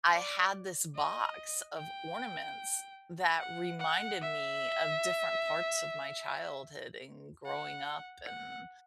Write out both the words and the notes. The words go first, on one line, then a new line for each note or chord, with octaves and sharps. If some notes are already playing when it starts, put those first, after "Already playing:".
I had this box of ornaments that reminded me of different parts of my childhood and growing up and
D5
D#5
G5
F#5
F#5
E5
F#5
F#5